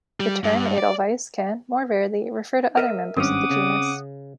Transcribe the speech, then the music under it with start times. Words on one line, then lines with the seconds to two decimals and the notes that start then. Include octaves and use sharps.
The term edelweiss can, more rarely, refer to other members of the genus.
0.20 G3
0.44 G2
0.78 D5
2.77 A#4 D#5 E5
3.17 G#1 G2 C4 C#4 F#5 D6 D#6
3.51 C#3